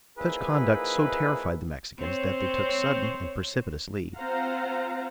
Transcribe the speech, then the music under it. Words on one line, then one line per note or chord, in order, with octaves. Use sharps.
Such conduct so terrified the Mexicans that they took sudden and precipitous leave.
F3 A#3 D#4 E4 G#4 B4
C4 C5 C#5
C4 F4 C5 F5 F#5 A#5